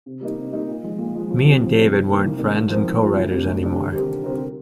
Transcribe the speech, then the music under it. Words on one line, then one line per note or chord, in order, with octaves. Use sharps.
Me and David weren't friends and co-writers anymore.
C3
G3 A#3 D#4
C3
G3 A#3 D#4
A#2
F3 G#3
A#2
F3 G#3
F2
C3 G3 C4
F2
C3 G3 C4
C2
C3 D#3 A#3 D4
C2
C3 D#3 A#3 D4
G#2
F3 C4 F4 A#4
G#2
F3 C4 F4 A#4
D2
C3 G3 D4
D2
C3 G3 D4
D3
G3 C4 G4 A#4
D3
G3 C4 G4 A#4